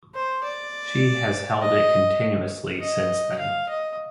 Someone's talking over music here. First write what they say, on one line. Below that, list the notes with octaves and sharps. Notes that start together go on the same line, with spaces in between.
She has held it continuously since then.
C5
D5
D#5
D#5
F5
D#5